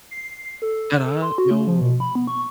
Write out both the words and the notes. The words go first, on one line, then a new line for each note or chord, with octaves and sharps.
And I yo
C7
A4
A4
C6
F#4
A3
F3
B2
B5
B3
C#6